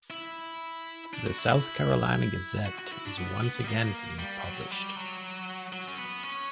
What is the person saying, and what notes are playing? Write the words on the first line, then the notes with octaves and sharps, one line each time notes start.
The "South Carolina Gazette" is once again being published.
E4
D4
F#4
E4
E4
F#4
F#4
E4
D4
B3
B3
G3
A#3
G3
F#3
G3
F#3
F#3
C#4
B3
C#4